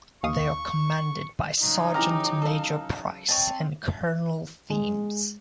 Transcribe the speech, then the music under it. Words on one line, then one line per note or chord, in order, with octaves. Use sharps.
They are commanded by Sergeant Major Price and Colonel Themes.
D#2 F5 C#6 D#6
C#3 F#3 D#4
E3 G4 A#5 F6
A4 F5
C4 C#5 D#5 A5
G#3